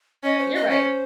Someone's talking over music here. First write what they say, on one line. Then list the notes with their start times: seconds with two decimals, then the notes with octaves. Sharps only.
you're right.
0.24 C#4 D#5
0.38 C5
0.55 D#5
0.70 C#4 C5